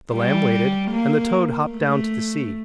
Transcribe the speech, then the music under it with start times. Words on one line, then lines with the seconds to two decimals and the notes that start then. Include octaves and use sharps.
The lamb waited and the toad hopped down to the sea.
0.13 G3
0.91 A#3
1.71 A3